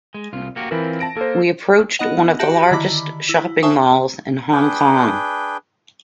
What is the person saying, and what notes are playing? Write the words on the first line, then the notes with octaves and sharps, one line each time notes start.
We approached one of the largest shopping malls in Hong Kong.
G#3
C2 F4
A#3 F#4 G4
E3 C4 E4 F4 A#4
A5 A#6 D7
A#3 A4 C5
B3 D#4 D#5 F#5
F#4 G4 E5 A5 A#6 F#7
D3 D#3 E4 B5 D6
E4
C5 E5 G#5 A5 C#6 D#6
D4 G#4 B4 G5